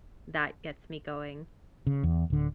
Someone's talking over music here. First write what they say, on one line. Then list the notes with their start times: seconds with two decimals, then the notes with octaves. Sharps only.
that gets me going.
1.87 C#3
2.03 E2
2.30 D1 D3